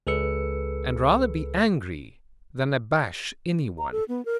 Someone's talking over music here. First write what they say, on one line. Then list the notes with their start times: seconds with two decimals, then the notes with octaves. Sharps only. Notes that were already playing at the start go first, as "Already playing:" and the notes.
And rather be angry than abash any one!
0.07 C#2 G#4 A4 B4 E6 C#7
3.78 A#5
3.92 A4
4.08 B3
4.25 A#4